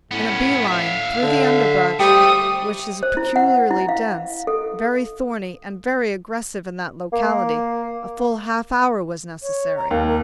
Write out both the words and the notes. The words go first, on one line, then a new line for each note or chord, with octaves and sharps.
In a bee-line, through the underbrush, which is peculiarly dense, very thorny, and very aggressive in that locality, a full half hour was necessary.
A2 B3 C#4
E5 F5
D3
G3 A3 G4 C5 D#6
C5
E4
F#5
E4
F5
A4
A#3
C#5
A#5
D#2 A#4
A#4